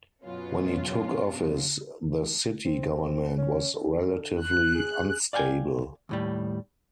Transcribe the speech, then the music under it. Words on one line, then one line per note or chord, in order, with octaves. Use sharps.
When he took office, the city government was relatively unstable.
F#2 B2 F#3 B3 C#4 F4
C4
C#4
D3
F#6
G#4
D5 F5 G5 G#5
D#2 A2 G3